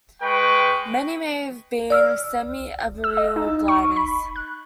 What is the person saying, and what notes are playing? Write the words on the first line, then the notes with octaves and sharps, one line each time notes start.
Many may have been semi-arboreal gliders.
G#3 B4 G5 C#6
D5 E6 F6
E6
D#5
D#4
C#6
B5
F#6